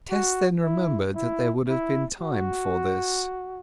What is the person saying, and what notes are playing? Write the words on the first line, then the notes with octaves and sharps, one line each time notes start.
Tess then remembered that there would have been time for this.
F#4
E4
E4
E4
F#4